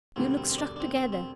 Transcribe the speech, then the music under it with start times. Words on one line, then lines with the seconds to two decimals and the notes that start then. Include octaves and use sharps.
You look struck together.
0.16 E1 D2 D3 G3 C4
0.37 C4
0.50 C4
0.58 D4
0.76 D4
0.80 C4
0.96 C4
1.12 C4